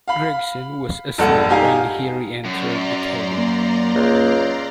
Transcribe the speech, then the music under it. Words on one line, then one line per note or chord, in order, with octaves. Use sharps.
Gregson was asleep when he re-entered the cabin.
F5 B5
E1 A#1 G2 A4 F#5
D#4 G4 F5 G#5 A#5
F#2 D5 A#5 C6
A#3
C#2